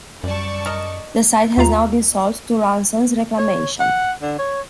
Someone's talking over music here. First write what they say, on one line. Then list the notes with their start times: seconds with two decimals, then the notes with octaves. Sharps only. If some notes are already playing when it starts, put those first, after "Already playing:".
The site has now been sold to Ronsons Reclamation.
0.24 F#2 G3 D5 A5 C#6
0.66 A#4 D#5
1.57 D#2 A3 F4 F5 A#5
3.38 C#5
3.80 F#5
4.22 D3
4.39 C#5